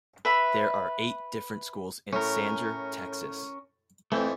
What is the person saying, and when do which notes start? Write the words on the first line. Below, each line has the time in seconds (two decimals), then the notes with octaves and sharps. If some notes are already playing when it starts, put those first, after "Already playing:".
There are eight different schools in Sanger, Texas.
0.25 B4 E5 B5
2.13 A2 C#4 A#4
4.12 F2 E3 A3 C4 G5